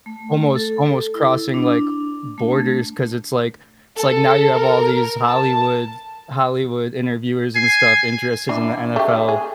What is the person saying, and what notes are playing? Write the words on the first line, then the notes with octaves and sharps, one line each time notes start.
Almost almost crossing, like, borders 'cause it's like it's like now you have all these Hollywood Hollywood interviewers and stuff interested in the NFL.
A3
A4
E4
D4
A3
A4
A#4
A5
G#5 C7
E3 D4 D5
A3 G4
G#4